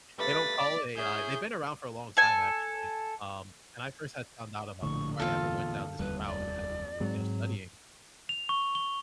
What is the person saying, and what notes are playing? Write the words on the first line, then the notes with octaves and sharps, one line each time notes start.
They don't call it AI. They've been around for a long time, actually, um, and I first had found out about them before I ever went down this route and had been, you know, studying.
G2 A3 B4 A6 B6
D5
C#4 E4 G#4 G6
A4 G#5
A#1 A2 D3 C#6
E2 A#2 F4 A4 F5
F1 D#2 G3 B4
D5
G#2 F#3 G#3 C4
F7
C#6
G7